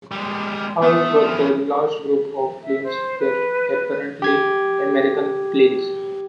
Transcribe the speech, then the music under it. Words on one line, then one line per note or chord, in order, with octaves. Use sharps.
However, the last group of planes were apparently American planes.
G3 G#3
A3 B3 E5 D#6
E3 F3
E5
C5
B4
G4 G#6